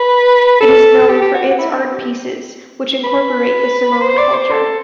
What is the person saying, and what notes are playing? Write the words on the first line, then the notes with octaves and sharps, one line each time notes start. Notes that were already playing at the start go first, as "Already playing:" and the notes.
It is known for its art pieces, which incorporate the Samoan culture.
Already playing: B4
A4
G4
G4
F#4
F#4
E4
D4
B3
G4
B4
C5
D5
C5
A4